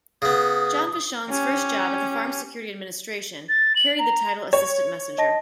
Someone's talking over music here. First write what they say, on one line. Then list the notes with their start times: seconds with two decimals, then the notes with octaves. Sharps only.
John Vachon's first job at the Farm Security Administration carried the title assistant messenger.
0.22 C#3 B3 D#6
1.29 C#4 G4
3.49 A6
3.76 F#7
3.99 A#5
4.53 C#5
5.18 D#5 A5 A#6